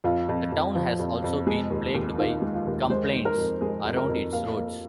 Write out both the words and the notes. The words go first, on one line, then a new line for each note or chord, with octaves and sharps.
The town has also been plagued by complaints around its roads.
F2 F4
F2
F2
F3
F2
F2
G#3 G#4
D#2
D#2
D#3 F4
G#3
F4
D#2
G#3 C5
D#3
A#4
F2
G#3 G#4
F2
A#4
F2
A#3 F5
A#3